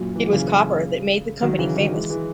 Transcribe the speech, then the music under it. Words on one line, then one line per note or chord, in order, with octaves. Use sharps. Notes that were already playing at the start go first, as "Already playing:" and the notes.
It was copper that made the company famous.
Already playing: F#2 A#2
E3
F#3
C#3 E3
D#3 F#3
C#3 E3
D#3 F#3
E3 G#3
E3 G#3